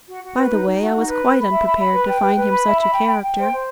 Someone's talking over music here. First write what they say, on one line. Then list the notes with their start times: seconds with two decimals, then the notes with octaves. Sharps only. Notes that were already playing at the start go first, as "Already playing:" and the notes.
By the way, I was quite unprepared to find him such a character.
0.08 F#4
0.22 F#4
0.36 B4
0.51 D#4
0.65 D#4
0.79 F#4
0.93 D#4
1.08 B4
1.23 B5
1.37 B5
1.50 E5
1.66 B5
1.79 B5
1.93 B4
2.08 G5
2.22 B4
2.36 B4
2.51 B5
2.66 E5
2.80 B5
2.93 G5
3.08 G5
3.22 G5
3.36 C5
3.50 C5